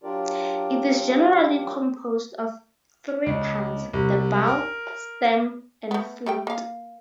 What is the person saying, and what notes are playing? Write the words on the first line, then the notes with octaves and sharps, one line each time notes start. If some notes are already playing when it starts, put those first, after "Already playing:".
It is generally composed of three parts: the bowl, stem, and foot.
F#3 D4 F4 G4 A#4 D5
C#2
C2
A#4
A3 B3
G3 A3 G5
A#3 F5